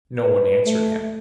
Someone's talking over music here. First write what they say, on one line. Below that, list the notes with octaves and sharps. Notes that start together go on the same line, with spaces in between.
No one answered him.
B4
A3